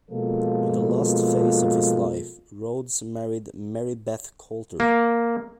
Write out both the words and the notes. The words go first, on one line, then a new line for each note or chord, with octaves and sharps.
In the last phase of his life, Rhodes married Mary Beth Coulter.
B2 F3 G#3 A#3 F4 A4
A#3